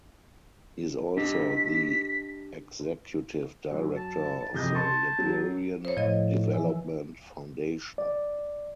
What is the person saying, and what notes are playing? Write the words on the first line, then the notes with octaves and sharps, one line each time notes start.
He is also the Executive Director of the Liberian Development Foundation.
D4 G4 D#5 B6
F#2
A5
F2 C3 D#5 G6
A5 C6 C#6
F#3
C5 C#5
A2 F3 D#5
E3
D5